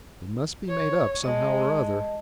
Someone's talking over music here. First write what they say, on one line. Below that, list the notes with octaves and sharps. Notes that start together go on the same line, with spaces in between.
"It must be made up somehow or other."
C#5
G#3 D#5 A5